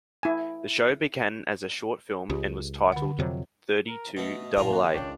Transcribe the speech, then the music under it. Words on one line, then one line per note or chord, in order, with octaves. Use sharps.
The show began as a short film and was titled "Thirty-Two Double A".
E4 G#5
C#2 G4
D3 F#5
F2 C3 F#3
A#4
B2 A3 D#5
A#2 D#3 E4 F4 A#4
D3 A#3 F#4
C#2 G#3 D4 C#5 D5 G5